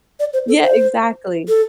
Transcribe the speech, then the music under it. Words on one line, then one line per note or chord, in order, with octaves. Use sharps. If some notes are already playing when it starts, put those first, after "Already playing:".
Yeah, exactly.
D5
C5
A4
C5
A4